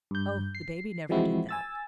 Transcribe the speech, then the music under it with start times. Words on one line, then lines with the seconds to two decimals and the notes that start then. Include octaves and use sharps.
Oh, the baby never did that.
0.11 G2 G6
0.55 C7
1.09 E3 F3 G#3 C4 E4 F#4
1.49 G#5 E6 A6